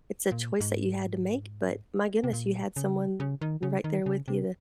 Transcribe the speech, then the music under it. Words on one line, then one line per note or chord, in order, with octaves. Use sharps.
it's a choice that you had to make, but my goodness, you had someone right there with you to
A#2
G#2
C3
A#2
C#3
C#3
D#3
C#3
D#3
C#3
C3